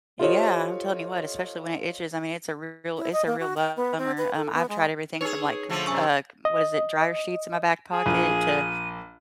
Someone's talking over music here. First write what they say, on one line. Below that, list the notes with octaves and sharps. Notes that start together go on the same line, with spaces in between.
Yeah, I'm telling you what, especially when it itches, I mean, it's a real it's a real bummer. Um, I've tried everything from like, uh, what is it, dryer sheets in my back pocket to a
F4 G4 A4 C5 C#5 D#5
E4
D#5
A#3
F#4
G5
B3
C4
B4
A4
B3
G#3
D#4 G#4 B4 C#5
D3 F3 A3
F#2 C3 G#5 C#6 E6
D#5
G#4
A#1 D#7